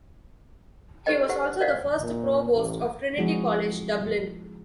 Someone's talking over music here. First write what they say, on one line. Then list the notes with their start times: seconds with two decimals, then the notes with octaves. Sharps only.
He was also the first Provost of Trinity College, Dublin.
1.06 G4 A4 B4 C5 D#5 G5
1.29 G4 C5 F#5
1.60 A#4 C5 D5 D#5 F5 F#5
2.01 A#2
2.54 A1
3.18 F3 G#3 C4 E4 F#4 G#4